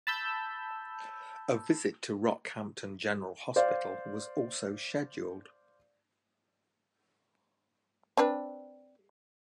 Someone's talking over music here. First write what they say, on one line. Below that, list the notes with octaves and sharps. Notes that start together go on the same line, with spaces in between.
A visit to Rockhampton General Hospital was also scheduled.
A5 B5 E6 G6
C5 D5 F5
C4 D4 B4